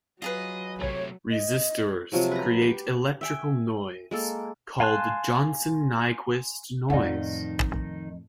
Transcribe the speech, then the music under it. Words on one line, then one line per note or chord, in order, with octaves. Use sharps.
Resistors create electrical noise, called Johnson-Nyquist noise.
F#3 F4 G#4 B4 D#5
C3 A3 C#5
D#5
C3 F3 F#3 G#3
B4 A#5
G4
E5 G5 G#5
G#3 A#3 A4
F5 G#5 A5 C6 F#6
F2 A2 D#3 E3 D#4 D5 F5 F#5